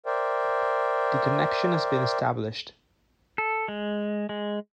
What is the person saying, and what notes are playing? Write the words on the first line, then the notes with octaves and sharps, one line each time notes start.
The connection has been established.
A#4 C5 D5 E5 G5
A4
G#3
G#3